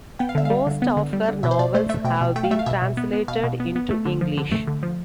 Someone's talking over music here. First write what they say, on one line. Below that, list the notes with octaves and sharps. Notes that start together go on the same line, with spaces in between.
Most of her novels have been translated into English.
B3 G5
F5
D3 E5
G3 F5
D3
B3
D3
G3
D3
B2 E5
C5
B2 D5
A3 C5
A3 E5
B2 G5
B2
A3 G5
F5
A3 E5
F5
B2 E5
B2
B3
B3
B2 F5
B2
B3
B3
A3
D3
F3
D3
A3
D3
F3